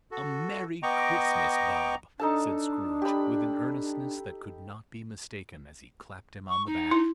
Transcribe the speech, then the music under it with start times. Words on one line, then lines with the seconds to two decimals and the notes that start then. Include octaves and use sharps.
"A merry Christmas, Bob!" said Scrooge, with an earnestness that could not be mistaken, as he clapped him on the back.
0.11 F#4 A4
0.83 B3 D#5 G5 A#5 C#6 D6
2.19 D4 D#4 A4 A5
3.02 G4 B5
6.48 C#6
6.66 D#4
6.91 E4